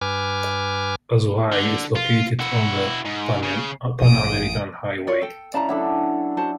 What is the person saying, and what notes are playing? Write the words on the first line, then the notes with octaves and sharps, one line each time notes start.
Azuay is located on the Panamerican Highway.
G2 B4 G#5 D6 F6
D3
F4
E4 F#4
G#2
C#3
A1 F#2 D#6 D7
F4 C#5 D5
A4 G5
C#3 E4 D5 A5 A#5
F#3 D4 E4 A4
F#4 C5 A5